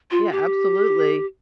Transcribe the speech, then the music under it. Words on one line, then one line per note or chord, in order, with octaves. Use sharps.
Yeah, absolutely.
F4
G4